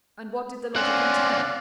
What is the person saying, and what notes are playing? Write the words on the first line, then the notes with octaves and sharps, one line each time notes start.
"And what did the letter contain?"
C4 C#4 D5 F5 F#5 G#5 C6